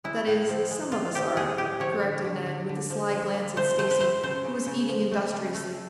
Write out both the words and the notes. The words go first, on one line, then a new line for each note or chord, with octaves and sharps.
"That is, some of us are," corrected Ned, with a sly glance at Stacy, who was eating industriously.
G#3 E4
A2
F3
G#3
A2 F4
F3 G4
A2 G#4
A2 G4
F3 C#5
D3
D3
D3
D3
F3
F3
A#3
A3 C5
A3 C5
B4
A3 C5
C#3 C5
C#3
C#3
F3
A3
C#3
A3